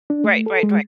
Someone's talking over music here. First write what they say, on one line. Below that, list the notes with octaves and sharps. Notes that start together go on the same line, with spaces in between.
Right, right, right.
D4
A3
A4
G#3